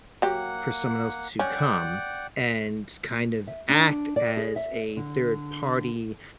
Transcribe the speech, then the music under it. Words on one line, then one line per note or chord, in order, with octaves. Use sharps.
for someone else to come and kind of act as a third-party,
F#3 A#3 G4 F#5
C#4 D5 F#5 G5
E5
D4
D5
G#4
E5
D3